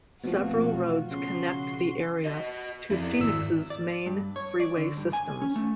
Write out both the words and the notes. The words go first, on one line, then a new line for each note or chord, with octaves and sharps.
Several roads connect the area to Phoenix's main freeway systems.
F1 B2 F3 F4 F#4
C#3 F#4 C6
F#4 D#5
F2 E4 D5
G#1 E6
D5
G2
C#5
D5
D3
G2
G#5
C#4
A3